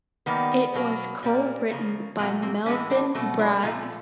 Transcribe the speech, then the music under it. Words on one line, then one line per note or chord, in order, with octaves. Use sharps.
It was co written by Melvyn Bragg.
D#3 G3 A#3 B3
B2 F#3 A#3
A#2 G3 A#3
C#3 F3 A#3
A#2 F#3 A3 A#3 C4
A#3 C4
A2 E3 G#3 B3 C#4
C4 D4
B2 F#3 A3
D4 E4
A#2 F3 A3 D#4 F4